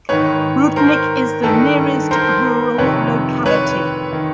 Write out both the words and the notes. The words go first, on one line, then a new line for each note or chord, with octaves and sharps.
Rudnik is the nearest rural locality.
G#2 D#3 B4 C#5
A#4 C5
G2 D#3 A4 B4
A#4 C5
F2 C3 D#3 B4 C#5
B4 C#5
D#3